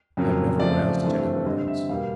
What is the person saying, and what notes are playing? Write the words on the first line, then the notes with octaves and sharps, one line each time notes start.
I have never roused it anywhere else.
F2 C#3 F#3 A#3
C#3 F3 A3 C4 D5
G2 E3 A3 C4
D3 G3 C4 D#5
E5
E2 B2 G3 A#3 F5